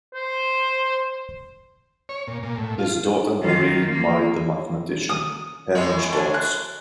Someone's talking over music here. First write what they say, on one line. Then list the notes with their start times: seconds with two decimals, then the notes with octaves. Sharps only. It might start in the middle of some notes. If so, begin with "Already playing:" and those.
His daughter Marie married the mathematician Hermann Schwarz.
0.13 C5
2.09 C#5
2.28 A#2
2.43 A#2
2.58 A2
2.79 F4
3.42 D#3 F4
3.89 A#3
5.09 D#6
5.75 A2 G#3 C#5
6.13 D4 G#5
6.34 F#6